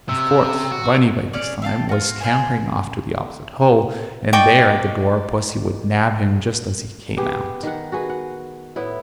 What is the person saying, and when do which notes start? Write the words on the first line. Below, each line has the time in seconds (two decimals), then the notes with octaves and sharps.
Of course, Bunny by this time was scampering off to the opposite hole, and there at the door pussy would nab him just as he came out.
0.09 C3 E6
0.72 F#4
1.33 C#4 G#4 C#5 D5
1.62 E5 F5 G5 A5
1.89 F4 F#4
2.21 F4 G#4 C5 G#5
4.33 D5 D#5 G5 C#6
7.17 B3 G4 G#4
7.63 D#3 F#5
7.92 F#4 G#4 B4
8.09 F#5
8.76 A2 B3 E4